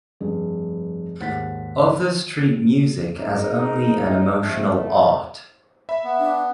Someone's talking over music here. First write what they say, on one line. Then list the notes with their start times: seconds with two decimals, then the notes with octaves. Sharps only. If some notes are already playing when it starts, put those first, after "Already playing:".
Others treat music as only an emotional art.
0.20 F1 G2 G#4
1.20 D#2 G#2 F#5 A6 B6
3.17 C4 D#4 G#4 A#4
4.27 F2 A3
5.89 E5 B5
6.04 B3
6.20 D4